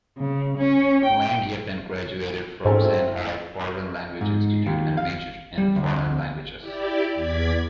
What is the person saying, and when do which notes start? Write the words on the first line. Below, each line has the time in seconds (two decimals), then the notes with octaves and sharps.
Wang Yeping graduated from Shanghai Foreign Language Institute and majored in foreign languages.
0.18 C#3
0.59 C#4
1.05 G5
2.65 G#2 C4 C#4 A4
2.84 A3 E4
4.21 G#2
4.66 D#2
4.97 F5
5.58 G3
5.76 D2
6.60 E4 G4 D5
7.14 E2 D5 G#6 B6